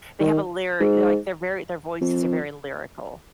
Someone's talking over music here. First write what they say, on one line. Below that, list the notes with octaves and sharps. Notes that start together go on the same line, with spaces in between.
they have a lyri like, their very their voices are very lyrical.
D#3
G#2
F2